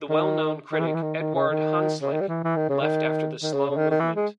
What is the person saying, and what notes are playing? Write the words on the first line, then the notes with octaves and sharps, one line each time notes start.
The well known critic Eduard Hanslick left after the slow movement.
D#3
D#3
E3
D#3
E3
D#3
D#3
C#3
D#3
C#3
D#3
G3
E3
E3
D#3
C#3
D#3
D#3
C#3
C#3
D#3
D#3
E3
G#3